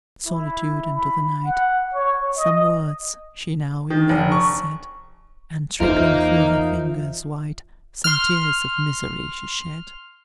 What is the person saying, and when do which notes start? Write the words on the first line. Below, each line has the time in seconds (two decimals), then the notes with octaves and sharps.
To solitude and to the night, Some words she now, in murmurs, said; And trickling through her fingers white, Some tears of misery she shed.
0.27 E4
0.94 B5
1.44 F#5
1.93 C#5
2.37 D#5
3.90 D#3
4.09 F1
4.32 C#6
5.80 E2 D#4 F4 A#4 C5 E5 F5
8.04 C6 F6